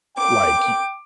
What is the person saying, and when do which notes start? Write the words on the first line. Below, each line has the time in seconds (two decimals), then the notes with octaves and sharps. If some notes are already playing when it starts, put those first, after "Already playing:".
like y
0.17 G5 D6